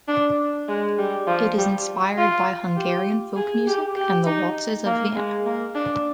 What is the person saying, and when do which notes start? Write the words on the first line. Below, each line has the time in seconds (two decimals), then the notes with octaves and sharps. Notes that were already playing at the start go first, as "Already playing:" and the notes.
It is inspired by Hungarian folk music and the waltzes of Vienna.
0.08 D4
0.69 G#3
0.99 G3
1.28 F3
1.58 G3
2.18 F4
2.77 G4
3.37 G#4
3.67 G4
3.96 G4
4.27 D#4
4.86 A#3
5.16 G#3
5.46 A#3
5.76 D4